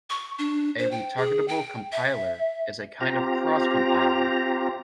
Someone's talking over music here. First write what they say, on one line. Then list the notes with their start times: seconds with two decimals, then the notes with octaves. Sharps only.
A retargetable compiler is a kind of cross compiler.
0.10 C#6
0.39 D4
0.79 C5
0.91 G5
1.17 G#4
1.48 G5
1.92 E5
3.01 C4 F4 G4 A#5